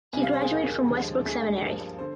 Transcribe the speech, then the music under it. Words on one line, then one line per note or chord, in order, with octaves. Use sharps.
He graduated from Westbrook Seminary.
C2 C3 G3 G#5
F5
C5
G#4
D#2 D#3 A#3
D#2 D3 F3 G#3
D2 D3 G#3 G#4
G2 F3 A#3
D3 C5